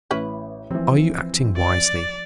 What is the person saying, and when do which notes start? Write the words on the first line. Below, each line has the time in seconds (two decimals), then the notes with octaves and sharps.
'Are you acting wisely?
0.11 A1 C#4 E4 B4
0.71 E3 F3 C4
1.56 D5